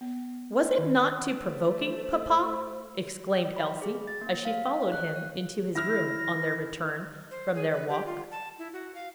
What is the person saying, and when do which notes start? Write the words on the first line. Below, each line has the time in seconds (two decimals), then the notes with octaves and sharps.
"Was it not too provoking, papa?" exclaimed Elsie, as she followed him into his room on their return from their walk.
0.01 B3
0.78 D#3
1.43 A3 C5
3.56 B5
3.82 G#4
4.07 A6
4.21 A#3
4.45 F5
4.92 F#6
5.16 C#5
5.75 E4 F6 A#6
7.31 C5
7.55 G#4
7.70 B4
7.88 G4
8.06 F4
8.32 A5
8.58 E4
8.73 F#4
8.95 F5